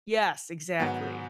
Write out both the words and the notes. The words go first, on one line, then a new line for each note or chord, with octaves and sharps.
Yes, exactly.
G#2 D#3 F#3 B3